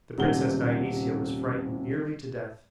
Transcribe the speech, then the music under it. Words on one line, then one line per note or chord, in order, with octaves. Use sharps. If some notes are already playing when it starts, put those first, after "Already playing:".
The princess Dionysia was frightened nearly to death.
D#1 C3 G#3 C5 F#5 G7